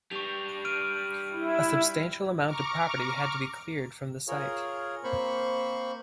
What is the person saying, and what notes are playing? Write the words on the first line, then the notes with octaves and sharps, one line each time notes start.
A substantial amount of property had to be cleared from the site.
G3 D4 C#6 F7
F6 D7 D#7
E4
A#5 C#6 D6 F6
F4 G#4 A#4 C#5
A#3 C4 C5 B5 C#6